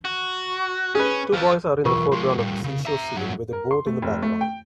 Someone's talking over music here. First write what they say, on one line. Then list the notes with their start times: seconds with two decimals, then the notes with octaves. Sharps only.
Two boys are in the foreground of a seashore scene with a boat in the background.
0.05 F#4
0.95 C#4 G#4 B4
1.33 F3 A4
1.85 B1 E2 F4 A#4 C#6
2.12 F3 G#3 C6
2.38 A2 G3
2.64 C#3
2.86 E5 A#5
3.16 G2 F#3
3.53 A#4
3.71 C6
3.87 A3
4.02 F1
4.22 A3
4.41 G5